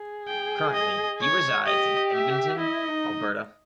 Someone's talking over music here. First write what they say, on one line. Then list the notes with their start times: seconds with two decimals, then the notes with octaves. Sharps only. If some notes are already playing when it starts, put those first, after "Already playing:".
Currently he resides in Edmonton, Alberta.
Already playing: G#4
0.28 G5
0.74 D#5
1.21 C#5
1.66 G4 D#5
2.13 E5
2.59 E4 D#5
2.91 D#4